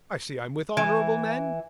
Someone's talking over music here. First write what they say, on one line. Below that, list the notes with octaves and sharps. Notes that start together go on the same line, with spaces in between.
I see I'm with honorable men.
E3